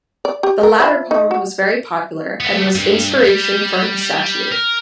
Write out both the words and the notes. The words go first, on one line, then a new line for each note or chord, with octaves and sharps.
The latter poem was very popular and was the inspiration for the statue.
D5
G4
A#4
F3 E5 B5
D#4
F#4
A3 B3
G2
G3
A#4